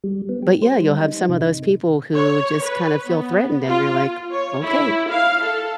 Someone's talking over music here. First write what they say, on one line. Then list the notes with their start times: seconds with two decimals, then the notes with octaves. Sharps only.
But, yeah, you'll have some of those people who just kinda feel threatened and you're like, "Okay."
0.04 G3
0.29 B3
0.42 G4
0.62 C5
0.81 G3
1.01 D#4
1.29 C3
2.14 C#5
2.62 B4
3.08 B3
3.66 F4
4.32 C#5
4.65 E4
5.11 F5
5.44 A4